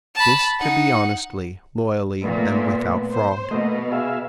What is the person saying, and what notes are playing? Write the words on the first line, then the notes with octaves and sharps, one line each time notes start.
This to be honestly, loyally, and without fraud.
A5 B5
D#4 F#5
A#2 A3 B3
C5
B2 A3 A#3 D#5
G#4 E5 F5